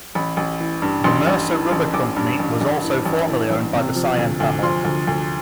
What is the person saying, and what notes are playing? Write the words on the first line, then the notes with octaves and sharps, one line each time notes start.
The Mercer Rubber Company was also formerly owned by the Sayen family.
A1 B5
A1
E3
G2
A1 C6
A1
E3
A1
A1 D6
G2
A1
A1
E3
A1
E3
A1
C3
F3
D2
D2
F3 C6
D2
D2